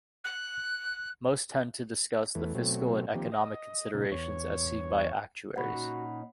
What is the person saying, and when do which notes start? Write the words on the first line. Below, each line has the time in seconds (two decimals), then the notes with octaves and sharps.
Most tend to discuss the fiscal and economic considerations as seen by actuaries.
0.24 F#6
2.35 E2 E3 A3
2.55 B2 F#3 A3 C4
3.14 D#3 F3 A#3 C4 G4
3.32 D#5
3.94 A#2 C#3 D#4
4.11 E2 C#5
5.56 A#2 C#4 D#4 F#4 F#5 B5